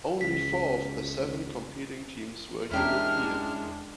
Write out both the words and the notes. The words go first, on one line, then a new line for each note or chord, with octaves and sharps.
Only four of the seven competing teams were European.
C#2 B6
E2 G#3 C#4 D4 E4 G4 A#4 F6